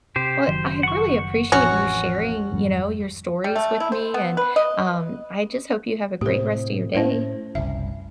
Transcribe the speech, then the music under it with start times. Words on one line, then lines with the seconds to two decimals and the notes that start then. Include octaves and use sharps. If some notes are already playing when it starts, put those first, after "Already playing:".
Well, I really appreciate you sharing, you know, your stories with me, and, um, I just hope you have a great rest of your day.
0.16 C3 G4 C5
0.47 F#1 D#3 F#3 C5
0.83 F#5 C#6
1.52 A1 F2 C#4 F#4
2.52 G#1 F2 G3
3.44 G3
3.56 A3
3.80 E4
3.92 C5
4.14 B3
4.37 B4
4.56 D#5
6.21 A2 C3 G4 C5
6.95 A2 C#4 E4 C5
7.55 F#1 C2 E5